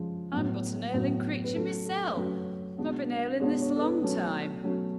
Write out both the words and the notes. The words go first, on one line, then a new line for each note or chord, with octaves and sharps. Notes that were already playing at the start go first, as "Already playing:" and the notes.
I'm but an ailing creature mysel'--I've been ailing this long time.'
Already playing: C#3 F3 G#3
A2 F#3 B3
A2 F#3 B3
B4
C#3 F#3 A3 A4
A4
C#5
C#3 F#3 A3 B4
B2 G#3 B3 D4
B2 G#3 B3 D4 C#5
C#5
A4
B4
B2 F#3 A3 C#4
B2 F#3 A3 C#4